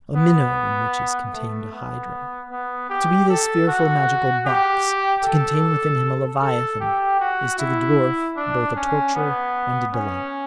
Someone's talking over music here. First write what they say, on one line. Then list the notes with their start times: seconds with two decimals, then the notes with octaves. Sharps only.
A minnow in which is contained a hydra. To be this fearful magical box, to contain within him a leviathan, is to the dwarf both a torture and a delight.
0.16 B3
1.33 A3
1.73 B3
2.50 B3
2.89 G4
3.29 A4
3.67 F#4
4.46 G4
5.24 A4
6.41 A4
6.80 G4
7.19 F#4
7.58 E4
8.36 D4
8.75 C#4
9.15 B3
9.93 C#4